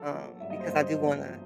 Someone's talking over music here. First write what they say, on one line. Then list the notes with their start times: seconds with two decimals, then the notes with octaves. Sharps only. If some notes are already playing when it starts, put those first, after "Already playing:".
um, because I do wanna
Already playing: F#3 A4
0.11 F#3
0.40 G2 E5
0.50 D#5
0.60 C5
0.69 G2 D#5
0.99 F#3
1.28 F#3